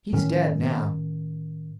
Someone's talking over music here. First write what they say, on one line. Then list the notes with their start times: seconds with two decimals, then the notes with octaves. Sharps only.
He's dead, now.
0.13 A2 D#3 C#4